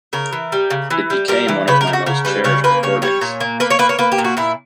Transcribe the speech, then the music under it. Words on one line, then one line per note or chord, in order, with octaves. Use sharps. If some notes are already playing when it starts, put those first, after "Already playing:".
It became one of my most cherished recordings.
C#3 A#4
E3
G3
C#3
E3
G3
G3 A#4
E3
C#3 B4
A#4
C#3
F#4
C#3 A#4
G3 B4
C#3 C#5
A#3 B4
C#3 C#5
G3 C#5
A#2
A#3
A#3 B4
C#5
A#3 B4
C#5
A#3 B4
G4
A#2
F#4
A#2 E4